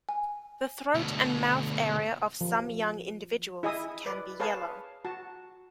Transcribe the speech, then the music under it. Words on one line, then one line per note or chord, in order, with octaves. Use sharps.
The throat and mouth area of some young individuals can be yellow.
G#5
D2 B2
F3
E4 G#4 D#5 E5 G#5 D#6
B4 D5
G#4 B4 C#5 F5 A5
F#4 A5